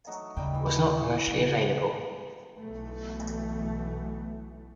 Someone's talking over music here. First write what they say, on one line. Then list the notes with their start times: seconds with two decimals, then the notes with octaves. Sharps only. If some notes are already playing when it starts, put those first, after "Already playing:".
Was not commercially available.
0.07 F#3 A3 D#4
0.36 D#2 C#3 G3 G5
0.54 E3 E4
1.27 C#3
2.61 B1 B2 E3 A3